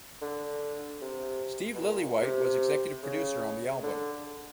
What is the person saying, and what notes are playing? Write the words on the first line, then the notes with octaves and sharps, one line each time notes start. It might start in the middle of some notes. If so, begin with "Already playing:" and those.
Steve Lillywhite was executive producer on the album.
D3
C3
B2
A#2
C3
C#3
D3